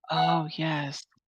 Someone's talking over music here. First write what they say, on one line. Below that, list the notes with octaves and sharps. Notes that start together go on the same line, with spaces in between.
Oh, yes.
F#5